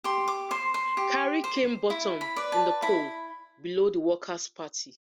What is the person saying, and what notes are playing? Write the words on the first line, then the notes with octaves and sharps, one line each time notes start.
Carey came bottom in the poll, below the Workers' Party.
G4 C6
D6
C5 C6
C6
G4
C5
E4
B5
B4 D5
A5
E4 B5